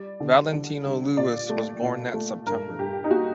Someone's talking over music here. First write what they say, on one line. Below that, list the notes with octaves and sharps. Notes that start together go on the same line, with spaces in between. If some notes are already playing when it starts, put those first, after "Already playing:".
Valentino Louis was born that September.
Already playing: G3 D5
D3
D3
G3
A#2 D5
A3
A#2
A3
G2 A#4
G2 G4
D#4
A#3 F#4